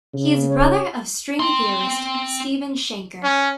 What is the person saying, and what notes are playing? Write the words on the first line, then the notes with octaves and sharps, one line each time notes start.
He is brother of string theorist Stephen Shenker.
C#3
C#5
C4 C6
C#4